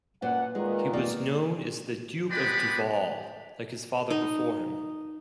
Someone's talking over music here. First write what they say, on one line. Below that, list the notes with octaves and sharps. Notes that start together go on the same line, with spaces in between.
He was known as "The Duke of Duval," like his father before him.
F#2 A#2 B4 F#5
A#2 D#3 G#3
A#3 D5
G#3 B3 G4 B4 D5 B5
D#4